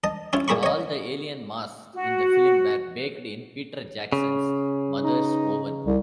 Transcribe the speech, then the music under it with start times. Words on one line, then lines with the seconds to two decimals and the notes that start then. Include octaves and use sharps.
All the alien masks in the film were baked in Peter Jackson's mother's oven.
0.04 D#5 A5
0.33 C#4 E4 F4
0.48 A#2 A3 G#4 B5 C#6
0.63 C#5 D#5
1.94 F#4
4.12 C#3
5.04 D#4
5.86 C2